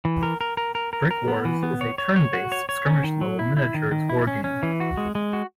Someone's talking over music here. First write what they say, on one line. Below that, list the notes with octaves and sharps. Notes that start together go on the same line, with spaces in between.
"BrikWars" is a turn-based skirmish-level miniatures wargame.
E3
A#4
A#4
A#4
A#4
A#4
A#4
B3
E3
B3
C#5
C#5
C#5
F#4
C#5
C#5
C#4
D#3
F#3
E4
E4
D#3
D#3
E4
C#4
C#4
E3
F#4
G#3
G#3
F#4